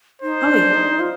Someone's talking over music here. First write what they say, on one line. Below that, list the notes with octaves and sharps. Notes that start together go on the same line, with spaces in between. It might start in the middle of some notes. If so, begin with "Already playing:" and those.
Oh, yeah.
D#4 C5
D4
D#4
F4